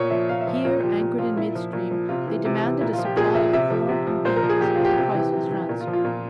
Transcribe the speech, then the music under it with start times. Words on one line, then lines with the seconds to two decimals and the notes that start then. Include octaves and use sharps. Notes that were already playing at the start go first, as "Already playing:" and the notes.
Here, anchored in mid-stream, they demanded a supply of corn and beans as the price of his ransom.
Already playing: A#2 C#5
0.10 F3 E5
0.29 A#2 F5
0.41 E5
0.47 F3
0.53 E5
0.64 A#2 F4
0.83 F3 G4
1.01 A#2
1.18 F3 F4
1.36 A#2 E4
1.55 F3
1.73 A#2
1.91 F3
2.09 C3 F4
2.27 E3
2.45 C3
2.63 E3
2.81 A#2 E4
2.93 F4
2.99 F3
3.05 G4
3.16 A#2 G#4
3.34 F3 E5
3.53 C3 E5
3.70 F3
3.89 C3
4.07 F3
4.25 A#2 C5
4.36 A#4
4.43 F3
4.49 G#4
4.61 A#2 G4
4.76 F3 F4
4.85 G4
4.97 C3
5.14 E3
5.33 C3
5.51 E3
5.69 A#2
5.81 F4
5.87 F3
5.93 F4
6.04 A#2